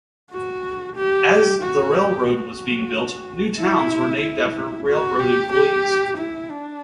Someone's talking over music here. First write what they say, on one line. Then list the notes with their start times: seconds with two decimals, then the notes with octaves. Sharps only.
As the railroad was being built, new towns were named after railroad employees.
0.31 F#4
0.96 G4
1.62 F#4
1.94 G4
2.27 F#4
3.56 E4
4.21 E4
4.87 F#4
5.19 G4
5.52 G4
6.17 E4
6.50 D4